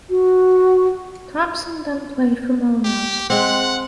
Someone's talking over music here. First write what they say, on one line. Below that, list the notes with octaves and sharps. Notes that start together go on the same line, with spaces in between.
Thomson then played for Melrose.
F#4
G4
G#3 C4 F#5